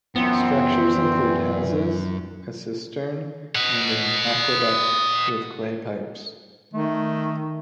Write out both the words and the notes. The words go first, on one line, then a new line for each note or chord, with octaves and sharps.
Structures include houses, a cistern and an aqueduct with clay pipes.
F#2 A#2 E3 B3 C4
D#5 F#5
D#3 A3